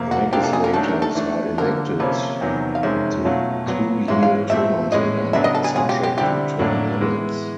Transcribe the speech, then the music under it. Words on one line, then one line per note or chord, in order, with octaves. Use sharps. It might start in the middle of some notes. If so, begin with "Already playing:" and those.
Legislators are elected to two-year terms and are not subject to term limits.
Already playing: F2 C3 F3 A#3
F#4
C3 F3 A#3 D4 F4 G4
A4
G#4
A#4
D#3 F#3 A3 D4 A4
A#4
A4
E3 A3 D4
D3 F3 A#3 A#4
C3 F3 A#3 C#4 B4
E2 C3 D#3 F#3 B3
F5
F2 C3 D#3 G#3 C#4 E5
B2 F#3 A3 C#4 F4
A#2 F#3 B3
G#2 E3 G#3 C#4 F4 E5
F5
A#2 F3 A3 C4 E4 E5
A2 E3 G#3 C#4 D#5
C#3 F#3 B3 D4 E5
D#5
A4
G#4
B2 G#3 C#4 F4 G#4
G4
G4
D3 G3 C4 E4 G4
A2 F#3 A#3 D4
E3 G#3 B3